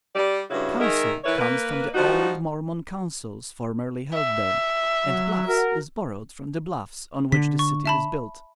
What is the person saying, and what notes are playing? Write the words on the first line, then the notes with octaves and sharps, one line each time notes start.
Council comes from the old Mormon councils formerly held there, and Bluffs is borrowed from the bluffs on which the city is built.
G3 D5
G2 C#3 E4 F#4
D#3 G#3 A#4 D#5 E5
E3 E4 A#4 B4 C#5
A#3 B4
F3 G3 D#4 F#4
E5
F#3
F#4 A#4
D3 B6
C#6
E5 A5 B5